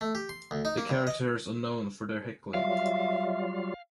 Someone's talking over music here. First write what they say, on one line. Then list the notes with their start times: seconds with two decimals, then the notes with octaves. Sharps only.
The characters are known for their heckling.
0.01 A3
0.15 G4
0.29 C6
0.51 D2
0.65 D#4
0.77 A#3
0.89 G2
1.07 D#5
2.54 F#3 G3 F4 E5 F5